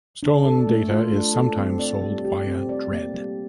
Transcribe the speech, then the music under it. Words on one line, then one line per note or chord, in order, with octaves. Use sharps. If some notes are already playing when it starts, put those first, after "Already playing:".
Stolen data is sometimes sold via Dread.
D4
A4
A3
F4
D4
A4
C4
D5
G3
G4
C4
D5
A#3
G3